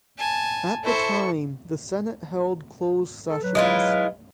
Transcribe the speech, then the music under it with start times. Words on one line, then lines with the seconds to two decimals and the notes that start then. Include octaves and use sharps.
At the time, the Senate held closed sessions.
0.19 G#5 A5
0.84 E4 A4 C5 C#6
3.29 A4
3.42 F#3 B4
3.55 G#3 E4 F4